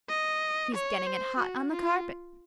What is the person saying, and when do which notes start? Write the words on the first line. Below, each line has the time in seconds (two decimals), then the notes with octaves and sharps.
'He's getting it hot on the carpet.'
0.09 D#5
0.74 C#5
1.07 C5
1.39 F#4
1.71 F4